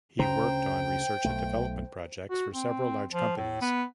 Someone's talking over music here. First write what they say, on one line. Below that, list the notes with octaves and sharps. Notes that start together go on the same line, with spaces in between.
He worked on research and development projects for several large companies.
D2 C#3 C#4 C5 G5 A#5
B1 A3
F#4
C4
F3
A2
B3